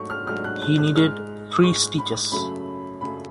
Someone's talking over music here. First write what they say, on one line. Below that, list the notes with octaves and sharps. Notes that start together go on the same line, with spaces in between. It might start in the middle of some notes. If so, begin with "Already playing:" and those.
He needed three stitches.
Already playing: G#2 F#3 A3 C#6
F6
G#2 F#3 A3 F6
F#6
F#6
F#6
G#2 G#3 F6
G#2 G#3 C#6
B5
F#2 C#3 F#3 A3 B5
F#2 C#3 F#3 A3 B5